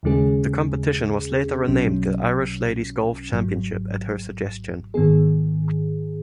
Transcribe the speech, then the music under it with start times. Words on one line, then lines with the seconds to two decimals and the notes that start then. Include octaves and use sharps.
The competition was later renamed the Irish Ladies Golf Championship at her suggestion.
0.03 D#2 C#3 G#3 C#4 G#4
1.67 B1 B2 F#3 C#4
3.31 G#1 G#2 F#3
4.94 G#2 D#3 B3 G#4